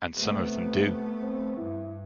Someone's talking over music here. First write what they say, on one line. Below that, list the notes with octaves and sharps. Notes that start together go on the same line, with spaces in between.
And some of them do.
C3 A3 B3
C4
G2 E4